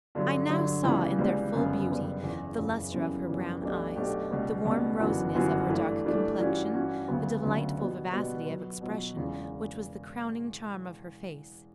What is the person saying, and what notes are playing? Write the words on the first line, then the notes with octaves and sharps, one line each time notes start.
I now saw, in their full beauty, the luster of her brown eyes, the warm rosiness of her dark complexion, the delightful vivacity of expression which was the crowning charm of her face.
G2 D3 F#3
G2 D3 F#3
C#2 C#3 E3 G3 B3
C#2 C#3 E3 G3 B3
G1 F#2 C#3 G3 B3
G1 F#2 C#3 G3 B3
F#1 E2 C#3
F#1 E2 C#3
F#2 C#3 E3 G3 B3
F#2 C#3 E3 G3 B3
B1 B2 A3 D4 G4
B1 B2 A3 D4 G4
C#2 B2 G3 B3
C#2 B2 G3 B3
G1 F#2 E3 B3 F#4
G1 F#2 E3 B3 F#4
G2 E3 A3 D4
G2 E3 A3 D4
G2 E3 G3 C#4 F#4
G2 E3 G3 C#4 F#4
D2 C#3 F#3 B3
D2 C#3 F#3 B3
B2 G3 B3 F#4
B2 G3 B3 F#4
B2 F#3 B3
B2 F#3 B3
E1 E2 C#3